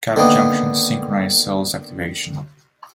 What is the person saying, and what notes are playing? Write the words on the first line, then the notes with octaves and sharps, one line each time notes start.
Gap junctions synchronize cell activation.
D3 D#3 A#3 B3